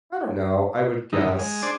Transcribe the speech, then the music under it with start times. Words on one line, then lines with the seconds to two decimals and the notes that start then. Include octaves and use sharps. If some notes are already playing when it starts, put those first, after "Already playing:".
I don't know, I would guess
1.13 G#2 D3 D#3 D#4 E4
1.26 G2
1.39 G#3
1.62 D4 G#4 C5 D5